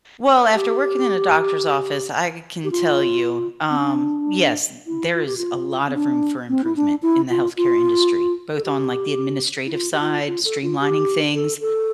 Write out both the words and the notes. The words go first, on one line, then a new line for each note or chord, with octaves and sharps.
Well, after working in a doctor's office, I can tell you, um, yes, t there is a lot of room for improvement in the health care industry, both on, like, the administrative side, streamlining things,
A4
G4
G4
F4
C4
D4
E4
F4
G4
F4
C4
D4
C4
E4
D4
E4
F4
F4
A4
G4
E4
F4
G4
F4
F4
A4
F4
G4
A4
A4